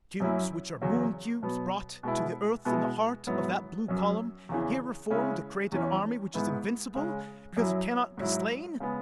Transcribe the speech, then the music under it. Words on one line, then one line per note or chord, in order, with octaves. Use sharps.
Cubes which are Moon-cubes, brought to the Earth in the heart of that blue column, here reformed to create an army which is invincible, because it cannot be slain!
F#2 F#3 C#4 E4
E2 C#3 F#3
B2 F#3 B3
B2 G#3 B3 E4
B2 G#3 B3 E4
G#2 F#3 B3 E4
F#2 F#3 C#4
E2 C#3 E3
C#3 G#3 C#4 E4
E2 E3 C#4
G#2 G#3 B3 E4
C#3 G#3 C#4
F#2 F#3 E4
G#2 F#3 E4
C#3 G#3 B3